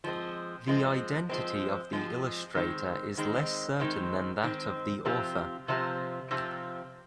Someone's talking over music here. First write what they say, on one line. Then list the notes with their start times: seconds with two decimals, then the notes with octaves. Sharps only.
The identity of the illustrator is less certain than that of the author.
0.04 F3 G#3 C4
0.67 F3 G#3 C4
1.29 F3 G#3 C4
1.93 F3 G#3 C4
2.55 D#3 G#3 C4
3.17 D#3 G#3 C4
3.80 D#3 G#3 C4
4.43 D#3 G#3 C4
5.05 C3 F3 C4 G4
5.68 C3 F3 C4 G4
6.31 C3 F3 C4 G4